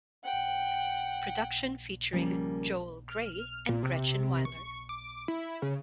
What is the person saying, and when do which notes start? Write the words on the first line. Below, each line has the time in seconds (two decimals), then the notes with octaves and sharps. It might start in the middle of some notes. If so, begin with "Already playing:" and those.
Production featuring Joel Grey and Gretchen Wyler.
0.25 F#5 G5
2.13 C#3 F3 G3 A#3
3.09 F6
3.69 A#2
3.83 C3
4.45 C#6
4.89 D6
5.28 E4
5.62 C#3